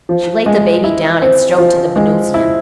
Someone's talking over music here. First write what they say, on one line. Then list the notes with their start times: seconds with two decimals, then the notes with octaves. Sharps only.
She laid the baby down, and strode to the Venusian.
0.09 F3
0.46 G#3
0.84 E4
1.22 C4
1.58 F3
1.96 G#3
2.34 E4